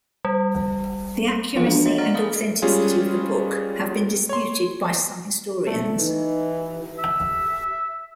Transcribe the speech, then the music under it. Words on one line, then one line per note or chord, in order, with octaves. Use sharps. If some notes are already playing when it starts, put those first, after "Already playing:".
The accuracy and authenticity of the book have been disputed by some historians.
G3
E3 F3 A#3 F4 F5 C6
G#3 D4 F5
C#5 D#5 C6
D5 F#5 A#5 F6 A6
F5 B5 D#6
G3 G#3 C#4 F4 G#4
C#5 C6
A3
E3 D#4
E5